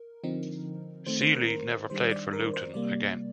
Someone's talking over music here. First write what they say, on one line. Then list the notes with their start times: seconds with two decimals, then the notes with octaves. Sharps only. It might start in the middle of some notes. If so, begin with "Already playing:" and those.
Sealey never played for Luton again.
Already playing: A#4
0.24 D3 F3 C4 D#4
1.07 D#3 A3 C4 C5
1.21 C5
1.35 A#4
1.48 A#4
1.90 D#3 G3 D4 C5
2.11 D5
2.33 A#4
2.54 C5
2.74 C3 G3 A#3 D5